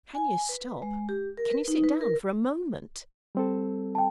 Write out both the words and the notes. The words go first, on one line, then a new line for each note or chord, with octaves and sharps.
'Can you stop--can you sit down for a moment?
G#5
B4
G#3
G4
A#4
B4
D#4
B4
A#4
G3 C4 A4
G5 A5